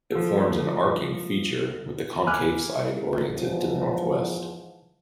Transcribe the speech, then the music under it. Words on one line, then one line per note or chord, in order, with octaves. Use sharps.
It forms an arcing feature with the concave side oriented to the northwest.
F3 A4
G#5 B5 D6 F6 F#6
E2 G#2 F3